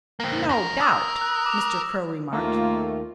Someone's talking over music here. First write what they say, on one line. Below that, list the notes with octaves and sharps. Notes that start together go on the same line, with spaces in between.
"No doubt!" Mr. Crow remarked.
A#3 C4
F2 A#4 A#6
A#4 D#6 E6
F#6
D6 F7
D#2 D#3 A3 A#3 F4